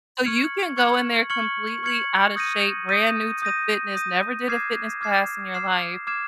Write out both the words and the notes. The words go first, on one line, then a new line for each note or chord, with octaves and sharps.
So, you can go in there completely outta shape, brand new to fitness, never did a fitness class in your life,
C#6 F6 G#6 C#7 F#7
C#6 F6 G#6 C#7 F#7
C#6 F6 G#6 C#7 F#7
C#6 F6 G#6 C#7 F#7
D#6 G6 A#6 D#7
D#6 G6 A#6 D#7
D#6 G6 A#6 D#7
D#6 G6 A#6 D#7
D6 F6 G#6 C7 E7
D6 F6 G#6 C7 E7
D6 F6 G#6 C7 E7
D6 F6 G#6 C7 E7